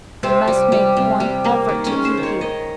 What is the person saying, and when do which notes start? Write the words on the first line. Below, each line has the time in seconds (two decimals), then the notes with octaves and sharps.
I must make one effort to keep you....
0.23 C3 C4
0.48 G3
0.72 G3
0.97 C3
1.20 G3
1.44 A#3
1.69 D#3
1.86 C#4
1.93 G#3
2.05 C5
2.17 D#3
2.23 C#5
2.41 D#3 D#5